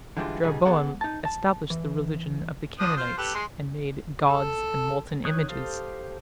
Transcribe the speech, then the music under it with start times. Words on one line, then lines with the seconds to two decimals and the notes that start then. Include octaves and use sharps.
Jeroboam established the religion of the Canaanites and made "gods and molten images".
0.17 D3 E3 G3 G#3 D4 F4
0.43 B2 D3 G3 B3 D#4 G#4
0.65 B3 G#4 A4 C5 D5 F#5
1.01 D#4 A5
1.25 A5
1.70 E3
2.79 F3 D4 D#6
2.97 F4 C5
3.18 G4 A4 B4
3.35 G#3 C6
4.28 A4
5.25 D#3 C#5 D#6 F#6 G6
5.49 G4 A4 C5 F5 D#6